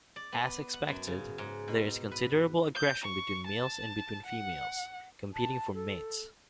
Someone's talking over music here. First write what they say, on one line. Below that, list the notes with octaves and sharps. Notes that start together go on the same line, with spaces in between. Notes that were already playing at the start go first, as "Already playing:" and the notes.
As expected, there is considerable aggression between males and between females, competing for mates.
D5
B3
F#5
F#2
C#3
G#2
B2
B4
G6
C#6
A5
F#5
A5
A4